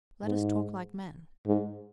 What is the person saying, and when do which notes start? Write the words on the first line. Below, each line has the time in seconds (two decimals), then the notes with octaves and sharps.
Let us talk like men.
0.24 G#2
1.47 G#2